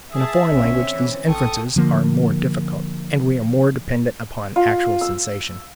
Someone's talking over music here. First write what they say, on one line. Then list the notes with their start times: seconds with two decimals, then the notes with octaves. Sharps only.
In a foreign language, these inferences are more difficult, and we are more dependent upon actual sensation.
0.12 G#4 E5 A5 D#6
0.51 A#1 D3 C4 C#4 C#5
0.93 E3
1.28 A#1 A4 G5 C#6 D#6
1.76 D3 F3 A#3
4.56 F4
5.01 E6